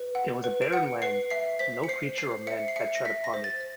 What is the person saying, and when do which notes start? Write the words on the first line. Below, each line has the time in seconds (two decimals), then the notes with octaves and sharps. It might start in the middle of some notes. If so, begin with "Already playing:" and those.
It was a barren land, no creature or man had tread upon it.
Already playing: B4
0.15 F#5
0.44 B4
0.62 D7
0.73 F#5 C#7
1.02 B4 C7
1.30 E5 C7
1.59 C5 B6
1.84 C#7
1.88 C5 C7
2.18 C5 C7
2.47 E5 C#7
2.68 C7
2.76 E5 C#7
2.95 A#6
3.05 E5 B6
3.24 A#6
3.34 C5
3.44 A6